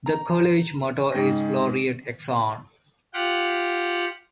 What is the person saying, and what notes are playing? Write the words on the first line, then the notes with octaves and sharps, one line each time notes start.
The College motto is Floreat Exon.
A#5
G#2 C#3 G5 A#6
F4 G4 F#5 G5